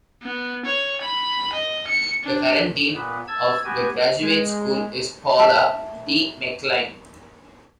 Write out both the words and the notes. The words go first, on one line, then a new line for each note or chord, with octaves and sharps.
The current dean of The Graduate School is Paula D. McClain.
B3
C#5
B5
D#5
C#7
D4
A#2 B3
A5 E6 G#6
B3 F#4 G4 G#5
G#3
E5 G5 A5